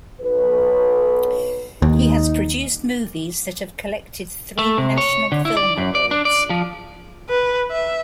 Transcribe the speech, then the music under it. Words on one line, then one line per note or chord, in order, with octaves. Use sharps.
He has produced movies that have collected three National Film Awards.
B1 B4
D#2 D#4
A3
C3
C#5
D3
E4
D5
F#2
D5
D4
D5
F3
B4
E5